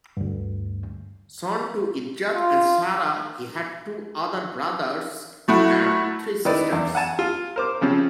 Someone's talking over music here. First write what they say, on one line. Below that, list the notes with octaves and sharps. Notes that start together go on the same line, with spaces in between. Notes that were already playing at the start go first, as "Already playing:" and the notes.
Son to Ezzat and Sara, he had two other brothers and three sisters.
D2 G2
F4
F#3 A3 E4 F#4
D#3 D#4 E4 B4 D5
E2 D4
F#5 G#5 A5
F4
A#4 C5 D6
C#3 F3 C4 C#4